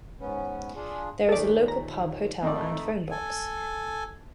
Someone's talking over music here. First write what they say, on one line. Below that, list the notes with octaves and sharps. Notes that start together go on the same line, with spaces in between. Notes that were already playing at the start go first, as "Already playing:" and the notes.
There is a local pub, hotel and phonebox.
G#2 B3 C#4
D4 F4 G#4
D#2 A#2 A3 A#3 G#4 A4 D5
A#5
F2 A3 D#4 A4 A#4 D5
A4 G#5